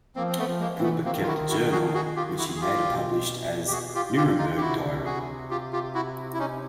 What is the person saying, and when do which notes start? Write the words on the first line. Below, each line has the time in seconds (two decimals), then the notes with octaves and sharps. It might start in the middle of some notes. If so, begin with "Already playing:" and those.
Gilbert kept a journal, which he later published as "Nuremberg Diary".
0.16 F3 A#3 C4
0.29 C4
0.38 A3 B3
0.46 F3
0.60 G#3 A#3
0.75 E3 C4
0.82 A3 B3
1.05 D#3 A#3 C4
1.23 F4
1.27 E4 F#4
1.50 E4 F#4
1.71 F#4 G#4
1.94 F#4 G#4
2.16 F4 G4
2.38 E4 F#4
2.56 G#4
2.61 F4 G4
2.83 B2
3.67 G4
3.72 F#4 G#4
3.95 F4 G4
4.16 F4 G4
4.38 D#4 F4
4.57 G4
4.61 C3 E4 F#4
5.05 F#4 G#4
5.50 F4 G4
5.73 F4 G4
5.95 E4 F#4
6.34 E4
6.39 C#4 D#4